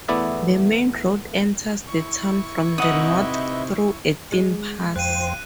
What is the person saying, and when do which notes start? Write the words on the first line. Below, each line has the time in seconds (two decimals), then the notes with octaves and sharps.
The main road enters the town from the north through a thin pass.
0.08 E2 A3 B3 E4 D5 E5
1.87 E4 C#6
2.78 C3 D#4 B4 D#5 E5 F#5 D#6
4.32 G#3
4.96 F2 C5 F5 G5 F#6 D#7